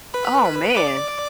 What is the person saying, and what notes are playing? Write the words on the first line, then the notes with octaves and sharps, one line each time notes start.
Oh, man.
B4 B5
D5 D6